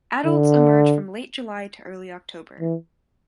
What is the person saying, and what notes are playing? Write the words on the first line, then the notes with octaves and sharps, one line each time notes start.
Adults emerge from late July to early October.
D3
E3